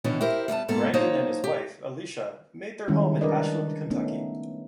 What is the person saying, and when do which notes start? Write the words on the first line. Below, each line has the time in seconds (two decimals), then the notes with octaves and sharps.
Brandon and his wife, Alicia, make their home in Ashland, Kentucky.
0.04 B2 D#3 E3 C#4 D4
0.21 E4 G4 A#4 C5
0.48 G3 B3 G5 A5
0.68 G#2 A#3 B3 A4
0.94 F#3 A#3 D#4 C5 C#5 A5
1.44 G4
2.88 D#3 G3 G#3 C#4 E4
3.21 D4 A#4 B4 D5 D#5
3.90 A3 B3 C#4 D#4